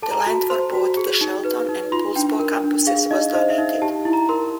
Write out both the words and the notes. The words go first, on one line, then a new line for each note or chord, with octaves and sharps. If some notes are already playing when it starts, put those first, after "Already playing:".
The land for both the Shelton and Poulsbo campuses was donated.
A4 A5
A#5
A5
F#4
C5 C6
F#4
G#4
D#4
B4
D#4
F4 C6
D4 G5
A#4
D4
G#4 F5
D#4 D#5
C5 D#5
E5
D#4
G4 A5
E4
A#5
A#4 C6